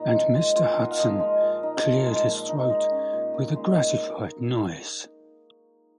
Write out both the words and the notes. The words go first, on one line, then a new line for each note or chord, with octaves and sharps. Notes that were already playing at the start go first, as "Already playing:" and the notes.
And Mr. Hudson cleared his throat with a gratified noise.
Already playing: A#2 D#4
F3 F4
G#3
A#2 F4
D#4 G#5
F#5
F5
F3 D#5
G#3
A#2
D#4
F3
G#3
A#2
D#4
G#3 D#5
C#4
A#2
A#2
G#3